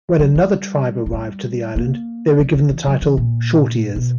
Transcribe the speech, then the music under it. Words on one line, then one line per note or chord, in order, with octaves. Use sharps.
When another tribe arrived to the Island, they were given the title 'Short Ears'.
F#3
G3
A#3
G3
A#3
F#3
D3
E3
F#3
E3
A#2
B2